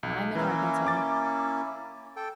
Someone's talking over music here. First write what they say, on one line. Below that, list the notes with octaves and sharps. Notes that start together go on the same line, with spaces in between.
I'm in Arkansas.
B1
E3 A#3 C#4 E4
D6 A6
A4 G5